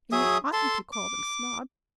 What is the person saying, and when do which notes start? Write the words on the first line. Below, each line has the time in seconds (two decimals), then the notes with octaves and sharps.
And you oughtn't to call them snobs.
0.12 F#3 G#4 E5 D#6
0.53 A4 A5 C6
0.92 D6